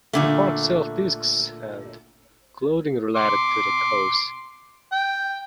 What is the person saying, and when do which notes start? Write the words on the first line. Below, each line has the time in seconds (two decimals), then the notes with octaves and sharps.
The park sells discs and clothing related to the course.
0.13 A#2 D3 A3
3.16 C6 D6
4.92 G5